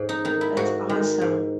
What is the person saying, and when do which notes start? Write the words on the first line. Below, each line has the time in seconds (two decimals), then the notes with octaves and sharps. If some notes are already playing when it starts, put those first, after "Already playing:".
That's awesome.
Already playing: G#2
0.09 D#4
0.25 D#3 D#4
0.41 E4
0.57 G#2 F#4
0.89 D#3
1.21 G#2